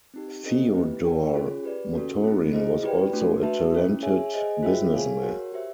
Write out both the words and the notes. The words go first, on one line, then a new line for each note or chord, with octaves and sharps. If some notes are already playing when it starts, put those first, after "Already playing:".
Feodor Motorin was also a talented businessman.
C4 D#4 G4
C#4 E4 A4 C5 D#5
C4 E4 G4 B4
G4 A#4 D5 G5
C#4 F4 G#4 C#5
G4 B4 D5
C#4 F#4 A4
A3 C4 E4
E4 G#4 C5 D#5
E4 G4 B4 D5 G5
A3 D4 F#4
F#4 B4 E5 A5
A#3 C#4 E4
G#4 C#5 E5 G#5
G#4 C5 D#5 G#5
F4 G#4 C5 E5 G5
G#4 C#5 F5 G#5
F#4 A#4 C#5 F#5
G4 C5 E5